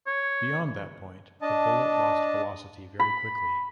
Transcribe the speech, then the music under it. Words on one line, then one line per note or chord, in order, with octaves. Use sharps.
Beyond that point, the bullet lost velocity very quickly.
C#5
D4 D#5 A5
B5